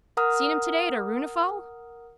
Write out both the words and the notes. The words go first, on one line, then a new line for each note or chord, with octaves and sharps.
Seen him today at a runefal?
A#4 F#5 A#5 D#6 F6